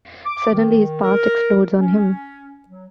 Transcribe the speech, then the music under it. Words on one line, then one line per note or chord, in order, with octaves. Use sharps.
Suddenly his past explodes on him.
D6
D#3
A#4
C#4
F#3